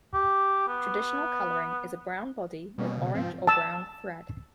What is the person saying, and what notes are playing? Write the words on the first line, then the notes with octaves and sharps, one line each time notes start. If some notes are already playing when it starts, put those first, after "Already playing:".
Traditional colouring is a brown body with orange or brown thread.
G4
B3
B2 G3 A#3 C#4
C#3
G#2 F3 C4
A5 E6